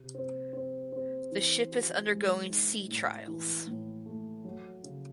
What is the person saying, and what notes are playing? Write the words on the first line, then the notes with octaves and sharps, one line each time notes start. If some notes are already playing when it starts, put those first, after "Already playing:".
The ship is undergoing sea trials.
Already playing: C3
C4
C4
C4
E3
F#4
G#3
D#4
A2
E3
A2
A3
F#3
C#3